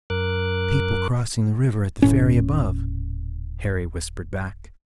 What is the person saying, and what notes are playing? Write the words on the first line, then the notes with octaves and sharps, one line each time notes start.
"People crossing the river at the ferry above," Harry whispered back.
F#2 A#4 D6 F#6
D#1 A2 C#4